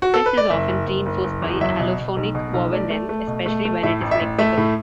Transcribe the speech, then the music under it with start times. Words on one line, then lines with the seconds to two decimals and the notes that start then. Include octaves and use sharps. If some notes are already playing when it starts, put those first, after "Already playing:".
Stress is often reinforced by allophonic vowel length, especially when it is lexical.
0.02 F#4
0.14 A4
0.26 B4
0.37 D5
0.50 F#1 E5
0.69 F#1
0.87 F#1
1.06 F#1
1.24 F#1
1.42 E2
1.61 F#3 E5
1.80 B2
1.98 B2
2.17 B1
2.35 B2
2.54 B1
2.72 A3 D5
2.90 A3
3.09 A3
3.27 B2
3.46 A3
3.65 A3
3.83 A2 E5
4.01 A1
4.11 E5
4.21 A1
4.38 A3 E5
4.57 A2